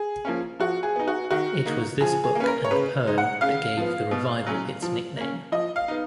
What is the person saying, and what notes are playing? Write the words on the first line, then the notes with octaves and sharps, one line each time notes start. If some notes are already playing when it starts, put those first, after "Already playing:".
It was this book and poem that gave the revival its nickname.
Already playing: G#4
F3 A#3 C#4
F3 F#4
G#4
B3 D#4
F#4
D#3 F#4
A#3 D#4
F3 G#4
G#4
A#3
C#4 B4
A#4
C#5
C#3 B4
G#3 D#4
F#5
C#3 F5
F3 B3
B2
F#3 C#4
F3
A#3 C#4
F3 D#5
F5
B3 D#4